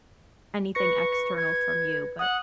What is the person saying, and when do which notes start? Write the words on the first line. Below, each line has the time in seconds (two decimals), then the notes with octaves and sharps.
anything external from you, but,
0.75 B4 C#6 A#6 C#7
1.37 G#6
2.19 F#5 D#6